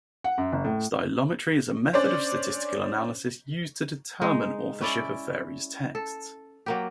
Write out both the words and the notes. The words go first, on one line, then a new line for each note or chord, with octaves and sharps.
Stylometry is a method of statistical analysis used to determine authorship of various texts.
F#5
F#2
F#1
A2
C#4 D4 C5 D5
G#3 D#4
C#4 E4 D5
A4
F#3 A#3 G4